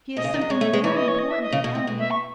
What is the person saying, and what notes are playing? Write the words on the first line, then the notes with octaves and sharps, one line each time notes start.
"She has something very important to tell me."
B2 D#5
C#3
D#3
F#3
G#3 C#5
A3
G#3
E3 C#5
D#5
C#5
D#5
E5
D#5
C#3
B2
A2
B2
E5
C#6